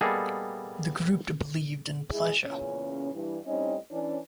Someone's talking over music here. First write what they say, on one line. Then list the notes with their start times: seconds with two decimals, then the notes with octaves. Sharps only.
The Group believed in pleasure ...
0.01 G3 A#3 B3 G#4 A4 D#5
2.11 E3 G#3 E4 G#4
2.44 E2 A#2 C#3 C#4
3.14 G2 E3
3.47 A2 G3 C4 C#4 D#4 D#5
3.91 E3 C#4 D4